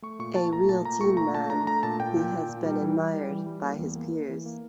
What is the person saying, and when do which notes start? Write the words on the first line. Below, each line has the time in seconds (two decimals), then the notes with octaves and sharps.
A real team man, he has been admired by his peers.
0.02 A3 C#6
0.19 A#2 C#6
0.36 A#2 A5
0.52 A3 A#5
0.68 A#2 A5
0.85 A#2 A#5
1.01 A3 C#6
1.17 A#2 A#5
1.34 A3 A5
1.50 D4 A#5
1.67 A3 A#5
1.83 A#2 A5
1.99 A#2 G5
2.16 A#2
2.32 A#2
2.49 A#2
2.65 G3
2.81 E3
2.98 G3
3.14 G3
3.30 E3
3.46 G3
3.63 A#3
3.79 E2
3.96 A#3
4.13 A#3
4.29 E3
4.46 A#3